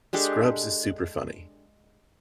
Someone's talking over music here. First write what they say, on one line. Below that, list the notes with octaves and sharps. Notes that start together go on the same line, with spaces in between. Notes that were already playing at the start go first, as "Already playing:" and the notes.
Scrubs is super funny,
G#3 D4 G4 A4